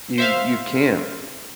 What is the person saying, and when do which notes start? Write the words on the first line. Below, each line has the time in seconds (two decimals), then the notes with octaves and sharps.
You you can't.
0.18 C5 E5 F5